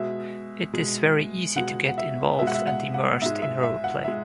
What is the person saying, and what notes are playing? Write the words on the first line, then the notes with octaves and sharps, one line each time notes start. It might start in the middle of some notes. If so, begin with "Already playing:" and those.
It is very easy to get involved and immersed in role-play.
Already playing: B2 G#3 E5
B2 G#3
B2 G#3 F#5
F#5
E5
B2 G#3 E5 F#5
E5
F#5
F#5
G#2 G#3 E5
E5
E5
F#5
G#3 E5